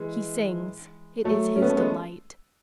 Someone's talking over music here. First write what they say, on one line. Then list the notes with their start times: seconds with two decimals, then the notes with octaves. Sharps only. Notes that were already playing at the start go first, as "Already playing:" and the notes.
He sings; it is his delight.
Already playing: E3 G#3
1.24 F#3 A3
1.56 C#4
1.62 B3
1.70 A3
1.77 G#3 B3